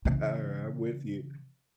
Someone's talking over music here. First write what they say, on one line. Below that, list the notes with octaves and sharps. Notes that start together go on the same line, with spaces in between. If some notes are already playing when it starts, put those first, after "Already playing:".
Alright. I'm with you.
C#3 E3